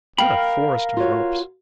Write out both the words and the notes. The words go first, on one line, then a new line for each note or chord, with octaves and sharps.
What a forest of ropes!
A#4 F5 G5 B5
F4 F#4 C#5